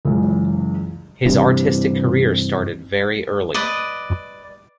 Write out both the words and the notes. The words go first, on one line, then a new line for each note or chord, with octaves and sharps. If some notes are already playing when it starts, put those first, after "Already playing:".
His artistic career started very early.
C#2 F#2 E3
G2 C3 E3
B4 D5 D#5